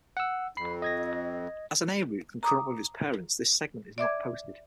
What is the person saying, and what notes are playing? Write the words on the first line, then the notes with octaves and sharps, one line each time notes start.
As an 'A' route concurrent with its parents, this segment is not posted.
F#5 E6
F2 B5 C7
D#5 G#6 A#6
A#5 D6 D#6
D5 E5 D6 G#6